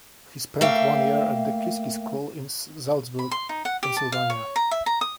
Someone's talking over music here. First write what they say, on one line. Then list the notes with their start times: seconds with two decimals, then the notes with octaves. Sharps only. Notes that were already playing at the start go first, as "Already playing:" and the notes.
He spent one year at The Kiski School in Saltsburg, Pennsylvania.
0.61 A3 A#3 E5 F5 G5
3.19 B5
3.31 C6
3.49 D#4
3.65 F#5
3.83 G4
3.97 A5
4.12 F5
4.30 C#5
4.56 A#5
4.71 E5
4.86 A#5
5.01 D#6